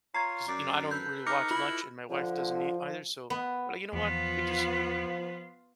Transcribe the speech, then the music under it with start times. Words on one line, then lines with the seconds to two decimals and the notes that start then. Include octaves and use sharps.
'cause, you know, I don't really watch much and my wife doesn't ei either. So but, you know what? We just
0.14 F4 C#5 A#5 G#6 C7
0.48 F#2 D5 D6
0.91 A4 B4 G6
1.27 D#4 D6 F6 A#6 C#7
1.51 E4 F4
2.10 D3 F3 F4
3.30 B3
3.93 E2 F3 B3 F4